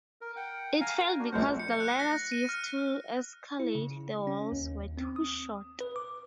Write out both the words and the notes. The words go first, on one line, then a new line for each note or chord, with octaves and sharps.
It failed because the ladders used to escalade the walls were too short.
A#4
F#5 G5
F5 G#5 A#5
A#4
D4 F#4
A#1 A2 C5 F#5
C#7
F#6
A#6
D#7
F6
E4
C#3
C#4
D#2
C4
D#6
B4
D6